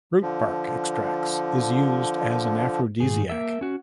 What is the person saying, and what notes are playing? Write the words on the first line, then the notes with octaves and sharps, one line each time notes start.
Root bark extracts is used as an aphrodisiac.
D3 F3
G#2 D#3 G#4
A#3 A#4 E5
C#4 F#4